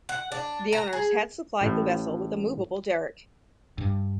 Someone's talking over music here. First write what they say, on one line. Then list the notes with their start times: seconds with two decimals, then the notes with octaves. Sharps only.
The owners had supplied the vessel with a movable derrick.
0.09 F#5
0.32 D4
0.73 A#5
0.93 G#4
1.61 A1 A2
3.78 G2